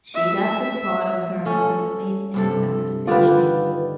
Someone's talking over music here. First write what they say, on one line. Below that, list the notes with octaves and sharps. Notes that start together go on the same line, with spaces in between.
She adapted part of her mother's maiden name as her stage name.
E5
A3 C#4 A4
G2 C3 A4
D3 D#3 F4 B4 D5